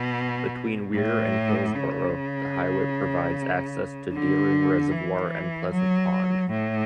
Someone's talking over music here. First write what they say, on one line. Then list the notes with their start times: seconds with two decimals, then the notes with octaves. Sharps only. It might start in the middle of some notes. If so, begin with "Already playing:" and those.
Between Weare and Hillsborough, the highway provides access to Deering Reservoir and Pleasant Pond.
Already playing: B2
0.95 A2
1.74 C#3
4.12 D3
4.91 E3
5.70 F#3
6.50 A2